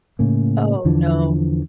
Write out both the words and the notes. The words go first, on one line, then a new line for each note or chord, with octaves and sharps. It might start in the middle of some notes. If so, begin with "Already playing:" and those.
Oh, no.
A2 C#3 A#3
E2 D3 E3 F3